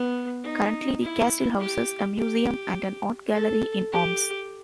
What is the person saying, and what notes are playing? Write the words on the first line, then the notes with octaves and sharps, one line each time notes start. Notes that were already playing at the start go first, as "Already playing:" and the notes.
Currently the castle houses a museum and an art gallery in arms.
Already playing: B3
D#4
E4
G4
G4
A4
G4